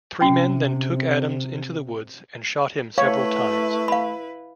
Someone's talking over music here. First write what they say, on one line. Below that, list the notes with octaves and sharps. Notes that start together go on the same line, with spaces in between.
Three men then took Adams into the woods and shot him several times.
C3 C#4 G5
A3 E4 B4 C#5 F5
F5 B5